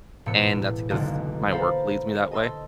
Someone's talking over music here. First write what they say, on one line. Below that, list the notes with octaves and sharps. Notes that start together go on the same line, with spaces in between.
and that's because my work leaves me that way.
E1 A2 B3 E6 C#7
F#1 B1 D3 G#3 A#3
A4 C5 F5 A#5 B5
D#5 A5 C6 E6